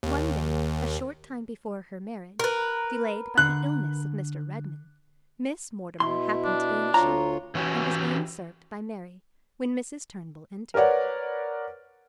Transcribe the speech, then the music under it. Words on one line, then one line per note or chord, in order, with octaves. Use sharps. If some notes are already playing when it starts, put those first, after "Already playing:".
One day, a short time before her marriage, delayed by the illness of Mr. Redmain, Miss Mortimer happened to be in the shop, and was being served by Mary, when Mrs. Turnbull entered.
D#2
A#4 B4
D3 F#6
B2 E4 C6
D4
D2 F4 C#5 A#5
E3 C#4 F#4 G4
A#4 B4 C#5 D5 F#5